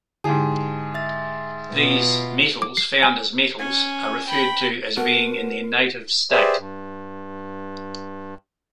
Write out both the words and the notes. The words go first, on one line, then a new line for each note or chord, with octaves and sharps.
These "metals found as metals" are referred to as being in their "native state".
G#2 D3 E4 G4 G#4 G#5 A5
E5 A6
B2 B3 F4
D6
C7
G#5
C#4 G#5
G5 B5
B3 F#4 A4 A#4
G4 G#4 B4 C5 D5 E5
G2